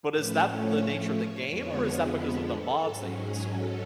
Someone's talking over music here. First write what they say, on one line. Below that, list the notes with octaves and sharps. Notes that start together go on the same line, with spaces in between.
But is that the nature of the game, or is that because of the mods that you installed?
A2 F3 A3 C#4 B4
C#5
C#5
F2 D3 F3 G#3 B3 C#5
B4
A4
G#2 F#3 C#4
G#4
A4